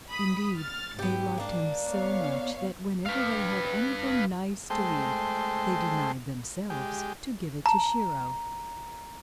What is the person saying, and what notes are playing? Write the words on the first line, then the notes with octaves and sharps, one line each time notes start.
Indeed, they loved him so much that whenever they had anything nice to eat they denied themselves to give it to Shiro.
B5 D#6
F6 A6
G#2 B3 G4
A#3 D4
B3 C#5 F5
B4 F5
G#3 A3 C5 G5
G#3 G4
A5 A#5